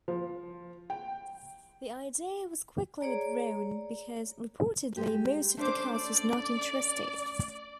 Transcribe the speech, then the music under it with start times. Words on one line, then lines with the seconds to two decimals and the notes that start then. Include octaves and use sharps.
This idea was quickly withdrawn, because reportedly most of the cast was not interested.
0.08 F3
0.90 G5
3.01 G#4 C#5 D5 A#5
4.97 G#3 G4
5.57 A3 C#4 D4 C5 D6
5.93 D5